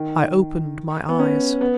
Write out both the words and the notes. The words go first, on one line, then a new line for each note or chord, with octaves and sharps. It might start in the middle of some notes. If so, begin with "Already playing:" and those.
I opened my eyes.
Already playing: D#3
B3
C#4
B3